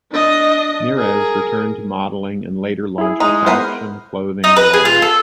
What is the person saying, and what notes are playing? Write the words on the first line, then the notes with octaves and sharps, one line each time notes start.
Meares returned to modeling and later launched a fashion clothing line.
D4 D#5
G#4 A#4
E4 G#4
G#3 D#4
B3 A#4 C5
D#4
B4
G#4
F4
A4